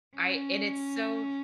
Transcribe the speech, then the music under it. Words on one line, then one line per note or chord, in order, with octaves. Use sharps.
I and it's so
C#4